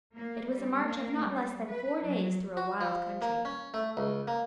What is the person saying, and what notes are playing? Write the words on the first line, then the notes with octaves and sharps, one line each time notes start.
It was a march of not less than four days through a wild country.
A#3
G3
A#3
G3
B4
F#3
F#4
F3
A#3
C#4
A3
C#2
A#3